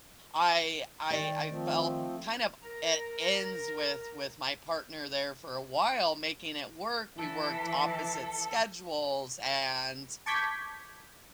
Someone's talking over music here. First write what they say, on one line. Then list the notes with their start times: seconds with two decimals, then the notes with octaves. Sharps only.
I I I felt kind of at ends with with my partner there for a while making it work. We worked opposite schedules and,
1.10 D#3 D5 G5
1.49 F3 A3 C4
2.63 A#4 A#5
7.19 E3 A4
10.26 A5 C#6 D6 G6 G#6 B6